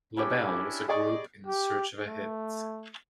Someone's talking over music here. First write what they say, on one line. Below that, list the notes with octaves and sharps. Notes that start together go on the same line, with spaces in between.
Labelle was a group in search of a hit.
C#4 D4 E4 G4 G5 B5
G#4 D5 D#5 C#6
G4
A3